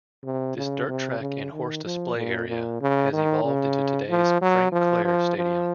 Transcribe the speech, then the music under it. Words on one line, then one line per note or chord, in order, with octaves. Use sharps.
This dirt track and horse display area has evolved into today's Frank Clair Stadium.
C3
C#3
C3
C#3
D#3
F3
A#2
A#2
C#3
D#3
C#3
F3
F#3
F3
F3
F3